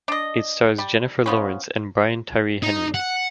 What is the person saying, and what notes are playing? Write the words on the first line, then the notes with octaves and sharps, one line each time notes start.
It stars Jennifer Lawrence and Brian Tyree Henry.
D4 D#5
G3
F3 B3 C#4
D#4
F#5